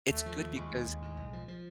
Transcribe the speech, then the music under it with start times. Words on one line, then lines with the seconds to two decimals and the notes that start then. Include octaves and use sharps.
it's good because
0.10 D#2 A3
0.26 F3
0.41 D#2
0.56 D#2 G#3
0.72 D#2
0.86 D#2
1.02 A2
1.17 B1
1.33 F3
1.48 F3